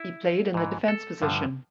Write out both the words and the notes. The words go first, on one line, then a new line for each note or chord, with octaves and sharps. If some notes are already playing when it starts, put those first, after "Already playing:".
He played in the defense position.
Already playing: E4
G#2 E3
A4
G2 D3 F3